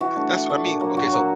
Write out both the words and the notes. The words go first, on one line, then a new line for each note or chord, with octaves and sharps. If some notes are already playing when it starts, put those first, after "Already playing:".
that's what I mean, okay, so,
E3 F#4
A3 D4
E3
A3 D4
A#2
F#3 A#3
A#2 F#4
F#3 A#3